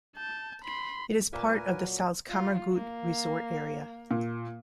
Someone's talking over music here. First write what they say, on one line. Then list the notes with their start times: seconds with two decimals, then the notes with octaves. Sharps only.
It is part of the Salzkammergut resort area.
0.17 A5 G6
0.64 B5 C6
1.33 A#2 A#3 A#4 B4 E5 G#5
1.68 F#3
2.29 F4
2.73 A#3
4.11 A#2